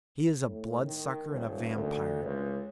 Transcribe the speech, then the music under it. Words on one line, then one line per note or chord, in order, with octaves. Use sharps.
He is a bloodsucker and a vampire.
A2
D#3
D#1
D2
C#2